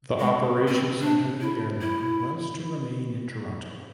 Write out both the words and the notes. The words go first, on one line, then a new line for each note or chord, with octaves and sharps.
The operation centre of the airline was to remain in Toronto.
G#3
C#4
C4
D4
E4
E4